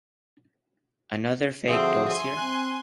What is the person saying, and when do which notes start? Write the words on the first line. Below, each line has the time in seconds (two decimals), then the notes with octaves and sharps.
Another Fake Dossier!
1.68 G2 D3 F3 C4 F#4 G#4 E5
2.08 G#5 C6
2.37 C4 F#6